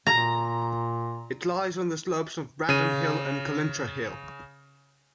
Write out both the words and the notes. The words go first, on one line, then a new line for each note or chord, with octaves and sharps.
It lies on the slopes of Brandon Hill and Cullintra Hill.
A#2 A#5
C#3 D#7